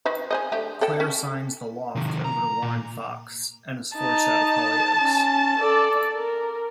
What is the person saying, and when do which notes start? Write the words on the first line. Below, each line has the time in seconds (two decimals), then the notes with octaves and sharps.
Clare signs The Loft over to Warren Fox and is forced out of Hollyoaks.
0.05 D#3 B4 C5
0.31 G#4 C5 D#5
0.52 D3 A3 G4
0.81 A4 F#5 G5
1.00 C#4
1.95 C3 D#3
2.24 A#5
2.62 A#2
3.98 D#4 A5
5.00 C#4
5.59 A4 D5
6.16 A#4